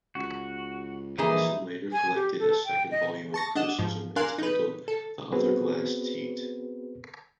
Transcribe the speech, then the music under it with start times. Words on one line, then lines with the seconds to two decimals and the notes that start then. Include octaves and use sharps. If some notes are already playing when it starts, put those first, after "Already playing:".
Ellison later collected a second volume of criticism entitled "The Other Glass Teat".
0.15 C#2 F#4
1.18 A#1 E3 A#3 D#4 E4 G#4 D#5
1.93 G#5
2.15 G4
2.39 A4
2.65 G5
2.91 D#5
3.34 A5 C#6 A#6
3.55 D4 D#5 F#5 E7
3.78 G#2 F3
4.16 D4 A#4 F5 G#5 C6 F#6
4.38 D#4 B4
4.88 A4
5.32 B3 C4 F#4 G#4 B4 C5